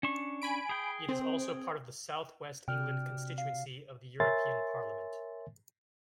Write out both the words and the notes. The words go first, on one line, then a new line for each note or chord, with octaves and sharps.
It is also part of the South West England constituency of the European Parliament.
C#4 D4 C#6
G#5 B5 D7
G#4 G5
C4
C3 F#4 D5 G5 F6
F5
A#4 C#5 E5 G#5 C6 A6